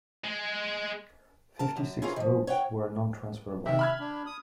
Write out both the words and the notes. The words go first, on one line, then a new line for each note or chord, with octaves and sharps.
Fifty-six votes were non-transferable.
G#3
A#4 A5
F#2
C#4 E4 F4 G#4 A#4 C#5
D#3 F3
C#5 F#5 G5
C3 D#3 E5
B5 F6 G#6
D4
D#6